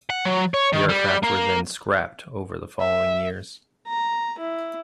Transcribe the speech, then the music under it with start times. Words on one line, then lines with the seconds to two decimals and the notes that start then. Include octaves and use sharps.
The aircraft were then scrapped over the following years.
0.10 F#5
0.25 F#3
0.54 C#5
0.73 D#3
0.89 G3
1.23 A#3
2.80 E5
3.88 A#5
4.38 E4